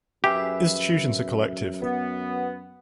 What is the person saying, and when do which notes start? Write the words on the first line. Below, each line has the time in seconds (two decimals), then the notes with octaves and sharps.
Institutions are collective.
0.24 F#2 G4 G#4 B4 E5
1.81 B3